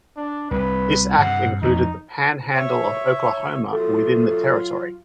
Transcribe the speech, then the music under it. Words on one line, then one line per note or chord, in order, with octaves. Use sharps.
This act included the Panhandle of Oklahoma within the territory.
D4
C2 B4
G2 C3 F#5
F2 E3 D#4
C#5 E5
F#3 A3 F4